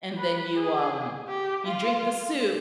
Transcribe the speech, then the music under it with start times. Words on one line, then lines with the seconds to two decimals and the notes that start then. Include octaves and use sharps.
and then you, um you drink the soup,"
0.17 B4
0.54 G#4
1.28 G4
1.64 F4